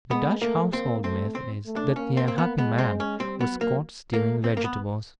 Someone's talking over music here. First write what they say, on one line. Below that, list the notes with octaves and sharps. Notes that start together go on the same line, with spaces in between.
The Dutch household myth is, that the unhappy man was caught stealing vegetables.
G#3 B3
A3 A#3
A#3 C4
A3 C4
C4
A3
D4
A#3 C#4
C4
C4
B3
G#3 B3
C4
C#4
G3 C4
B3
F#3
A#3
A3 A#3
C4
A#3
B3